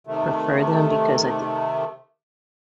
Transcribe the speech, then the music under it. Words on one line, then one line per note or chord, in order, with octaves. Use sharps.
prefer them because I thi
C3 D#3 A3